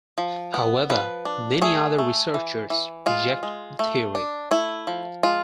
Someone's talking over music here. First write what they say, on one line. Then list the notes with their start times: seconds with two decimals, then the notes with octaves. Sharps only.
However, many other researchers reject the theory.
0.18 F3
0.54 B3
0.90 F3 B4
1.25 D4
1.62 A3 G#4
1.98 A3
2.34 E3
2.70 E3
3.06 G#3 F4
3.43 G#3
3.79 A3
4.15 D4
4.51 A3 E4
4.87 F3
5.23 G#3 F4